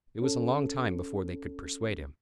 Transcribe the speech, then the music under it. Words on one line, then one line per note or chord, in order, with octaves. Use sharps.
It was a long time before they could persuade him.
C#4 A4